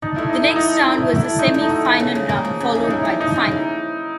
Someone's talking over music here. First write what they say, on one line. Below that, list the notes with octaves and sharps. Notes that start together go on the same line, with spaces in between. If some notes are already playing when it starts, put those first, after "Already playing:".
The next round was the semifinal round, followed by the final.
D4 D#4
A3 E4
A3 D#4
E4
F#4
D#4
D4
A3 D#4
A3 E4
F#4
E4
D4
A3 D#4
A3
D#4
F#4
F3
C#3
C#3
A#3
F3
C#3
C#3 E4
D#4
A#3 E4
F3
C#3 D#4
C#3
E4
A#3